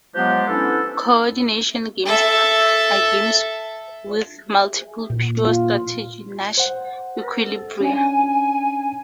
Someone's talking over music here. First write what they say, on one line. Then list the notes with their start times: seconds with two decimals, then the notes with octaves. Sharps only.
Coordination games are games with multiple pure strategy Nash equilibria.
0.15 F3 F#3 G#3 B3 D4 G4
0.48 B3 C#4 D4 E4 A4
2.06 A4 E5
5.10 A#2
5.46 F4
6.58 C5 F#5
7.80 C#4 D4 G#5